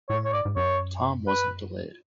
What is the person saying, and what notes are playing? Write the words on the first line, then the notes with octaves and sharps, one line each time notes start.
Tom wasn't delayed.
A2 C#5
C#5
G#2 D5
G#2
F#2 C#5
B4